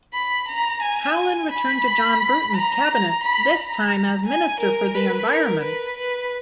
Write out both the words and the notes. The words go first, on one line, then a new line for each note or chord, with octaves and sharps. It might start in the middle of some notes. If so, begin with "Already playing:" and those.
Howlin returned to John Bruton's cabinet, this time as Minister for the Environment.
B5
A#5
G#5
B5
A#5
B5
A#5
G#5
A#4
B4
A#4
B4
B4